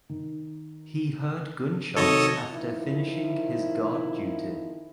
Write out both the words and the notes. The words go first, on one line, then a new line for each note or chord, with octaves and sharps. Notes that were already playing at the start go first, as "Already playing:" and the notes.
He heard gunshots after finishing his guard duty.
D#3
C3 D#3 F#3 A4 C#5 D#5
D#3 F3 E4